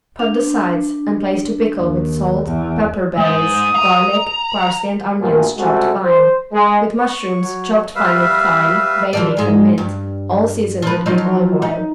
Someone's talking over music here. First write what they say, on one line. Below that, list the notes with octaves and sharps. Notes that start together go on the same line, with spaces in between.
Cut the sides and place to pickle with salt, pepper berries, garlic, parsley and onions chopped fine; with mushrooms chopped fine with thyme, bay-leaf and mint, all seasoned with good olive oil.
D4
D#2
E2
G#3 D#4 D#6
A#5
D2 G2 A#2
C#2 C3 G3 G#3 F#4 A4
C5
G#3
C#6
F#3 C#5
G3 B4 E5 F5
E3 F3 D5
G#2 G#3
G2
F3 B4
F3 F#3 D#4
D#4